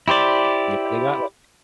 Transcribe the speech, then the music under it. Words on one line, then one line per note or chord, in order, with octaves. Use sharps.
Yeah, they got, like,
E4 G4 C5 D5